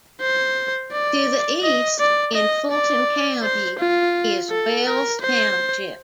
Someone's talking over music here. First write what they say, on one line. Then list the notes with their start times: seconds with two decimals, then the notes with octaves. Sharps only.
To the east, in Fulton County, is Wells Township.
0.21 C5
0.93 D5
1.63 D#5
2.00 D5
2.35 D#5
2.71 D5
3.43 C5
3.79 F4
4.50 A4
4.86 A#4
5.21 C5